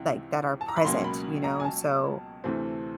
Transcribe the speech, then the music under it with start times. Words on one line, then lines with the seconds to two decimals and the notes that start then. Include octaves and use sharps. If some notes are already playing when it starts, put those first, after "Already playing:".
like, that are present, you know, and so,
Already playing: C#2 C3 E3
0.61 A5
0.69 A#5
0.77 B5
0.85 C#2 B2 F#3 A#3 C#4 C6
1.04 B5
1.44 A#5
1.60 G#5
1.65 A5
2.44 D2 C3 E3 A3 C4